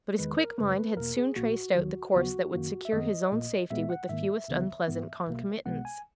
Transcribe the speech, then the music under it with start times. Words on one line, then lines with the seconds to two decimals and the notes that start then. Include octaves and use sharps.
But his quick mind had soon traced out the course that would secure his own safety with the fewest unpleasant concomitants.
0.19 E2 D#3 G#3 B4
0.39 A#4
0.58 F#2 C#3 G#3 B4
0.77 B4
0.97 E2 B2 A#3 A#4
1.17 G#4
1.36 A#1 A#2 A#3 F#4
1.75 D#2 D#3 F#3
2.14 D#2 C#3 F#3 B3 F#4
2.53 F#2 D#3 A#3
2.85 E5
2.92 F#2 D#3 G#3 B3 D#5
3.32 A#1 A#2 A#3
3.70 A#1 A#2 G#3 B3 E5
3.90 F#5
4.09 G#2 D#3 A#3 E5
4.48 C#2 C#3 E3 B3
4.88 G#2 E3 B3
5.27 B1 B2 A#3
5.65 B1 B2 G#3 B3 F#5
5.85 G#5